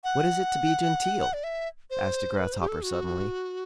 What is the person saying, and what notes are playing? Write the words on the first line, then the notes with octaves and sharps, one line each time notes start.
"What is it to be genteel?" asked a Grasshopper suddenly.
F#5
D5
E5
C5
B4
C5
G4
A4
F#4